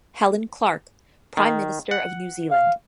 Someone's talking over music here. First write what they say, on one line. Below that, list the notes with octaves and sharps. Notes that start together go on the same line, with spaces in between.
Helen Clark, Prime Minister of New Zealand.
D#3
F#5
F5